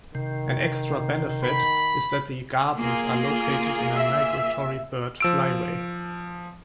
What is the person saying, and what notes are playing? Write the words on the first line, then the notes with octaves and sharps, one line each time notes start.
An extra benefit is that the gardens are located in a migratory bird flyway.
C3 D#3
B5
A#3 F4 G#4
E5
F3 E6 D7